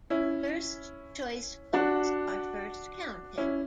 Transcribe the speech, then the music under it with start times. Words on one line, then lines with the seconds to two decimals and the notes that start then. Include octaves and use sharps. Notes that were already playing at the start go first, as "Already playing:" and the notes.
First choice votes are first counted.
0.10 C#4 E4
1.73 D4 F#4
3.38 C#4 E4